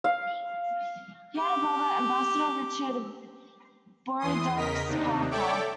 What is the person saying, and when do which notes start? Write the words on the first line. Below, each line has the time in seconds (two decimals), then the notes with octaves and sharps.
He had a brother, Ambassador Richard Bordeaux Parker.
0.04 F5
1.37 G4 D6
4.20 E2 E3 C6 D#6
4.54 E2 C#3 A#4 D#5 B6
4.86 D#2 C3 D4 D#4
5.31 A4 C#5 D5 E5 G5 D6